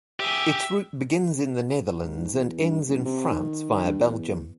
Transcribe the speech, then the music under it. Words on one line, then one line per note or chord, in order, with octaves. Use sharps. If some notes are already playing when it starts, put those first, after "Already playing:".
Its route begins in the Netherlands, and ends in France, via Belgium.
G4 G#4 E5
G#2
E2
G2
F#1
C3
D#3
G2
E2